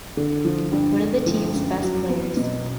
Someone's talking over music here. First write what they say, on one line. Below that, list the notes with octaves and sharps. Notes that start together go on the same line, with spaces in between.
One of the team’s best players.
D3
F3
G2
D3
F3
F#2
F#3
B3
B2